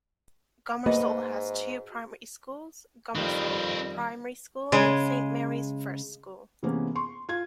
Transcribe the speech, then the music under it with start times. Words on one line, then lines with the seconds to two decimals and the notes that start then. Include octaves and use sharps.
Gomersal has two primary schools; Gomersal Primary School and Saint Mary's First School.
0.86 G#2 A#3 F#4 B4 D#5
3.15 F2 D#3 G3 C4 B4
4.72 C#3 G#3
6.63 C3 E3 G#3 A#3 B3 C#4
6.95 C6 C#6
7.29 F4 G#6